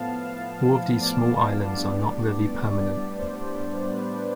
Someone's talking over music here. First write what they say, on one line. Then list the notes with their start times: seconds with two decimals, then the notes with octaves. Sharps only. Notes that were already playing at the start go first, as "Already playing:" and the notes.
All of these small islands are not very permanent.
Already playing: A2 F3 B3 F5 A5
0.29 F5
1.01 D5
1.73 A2 G3 B3 D4
2.45 D5
2.82 D5
3.18 C5
3.91 B4